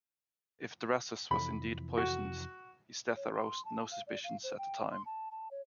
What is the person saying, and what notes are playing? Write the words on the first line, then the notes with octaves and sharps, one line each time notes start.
If Drusus was indeed poisoned, his death aroused no suspicions at the time.
F2 C3 E3 B5
F#4
C#5
C6
A5
F5
D5
F5
C5
G5
C6
A5
A5
C#5